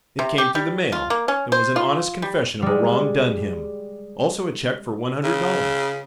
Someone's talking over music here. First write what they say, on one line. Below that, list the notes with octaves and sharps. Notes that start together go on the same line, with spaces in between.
It came through the mail and was an honest confession of a wrong done him, also a check for one hundred dollars.
C3
G4
G3
F4
A#3
C#4
C5
F4
G3
G3 G#3
C#3